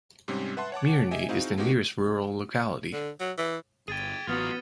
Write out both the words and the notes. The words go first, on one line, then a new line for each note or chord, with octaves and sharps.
Mirny is the nearest rural locality.
G#2 C3 G3 G#3 C4 C#4
B4 E5 F#5 A5 C6
C#5 F#5 A5 D6
G4 D#5 E5 G#5
C4 D#4 E4 F#4 G#4 F5
G#3 A#3 C4 D#4 F#4 G4
D3
F#3
E3
G1 G#4 G5 G#6 A6 D#7
A1 F#3 B3 F4 F#4 D#6 F6 A6